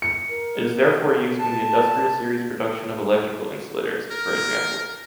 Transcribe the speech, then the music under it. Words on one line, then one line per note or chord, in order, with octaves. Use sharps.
It is therefore used in the industrial series production of electrical insulators, for example.
C#7
A#4
A5
A#4